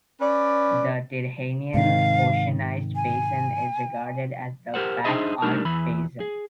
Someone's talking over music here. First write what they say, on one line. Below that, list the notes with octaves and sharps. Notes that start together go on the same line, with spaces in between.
The Tyrrhenian oceanized basin is regarded as the back-arc basin.
C#4 B4 D5
G#2 C3 D#3 F5
G#5
G4 A#4 C5 F#5
D4 D#4 G#4 C5 D#5 E5
G3 A3 D4 D#4 A#4
E2 E3 B5
G#4